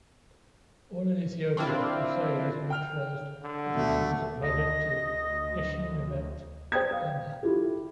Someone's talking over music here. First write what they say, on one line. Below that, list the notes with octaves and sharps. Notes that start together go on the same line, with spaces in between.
Born in Ethiopia, Hussain is a naturalised British citizen married to Yeshshiemebet Girma.
C4 D4 E4 F4
G5 F6 F7
D3
D2 B2 A3
D2 D#5 A#6
C5 D5 G5 D#6 G#6
F5
E4 F4 G4 A4